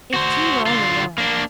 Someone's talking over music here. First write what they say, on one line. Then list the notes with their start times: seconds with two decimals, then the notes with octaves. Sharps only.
If T. were only willing!...
0.14 F#4 C5
0.66 D3 F4
1.18 A#3 D4